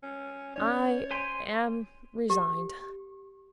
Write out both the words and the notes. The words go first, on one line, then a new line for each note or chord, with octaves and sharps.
I am resigned.
C#4
C#4 C#5 D5
C5 G#5 C6 B6 D7
G4